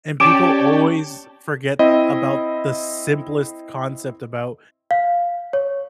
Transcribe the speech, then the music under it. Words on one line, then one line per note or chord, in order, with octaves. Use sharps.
And people always forget about the simplest concept about,
C#4 G4 C#5 D5 G5 A5 D6 D7
C4 E4 D#5
F5
C#5